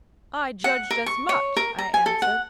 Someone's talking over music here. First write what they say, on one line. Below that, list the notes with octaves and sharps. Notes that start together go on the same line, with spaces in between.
'I judged as much,' I answered.
F#5
A#4
C#6
C#5
A#4
A#5
G#5
A4
F#5